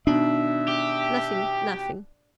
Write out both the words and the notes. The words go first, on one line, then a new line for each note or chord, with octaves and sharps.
"Nothing, nothing."
B2 D#3 D4 E5
G4